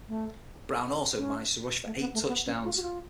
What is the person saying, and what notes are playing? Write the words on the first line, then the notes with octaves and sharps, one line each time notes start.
Brown also managed to rush for eight touchdowns.
A3
C#4
A3
B3
A3
B3
C#4
F4
F#4
F4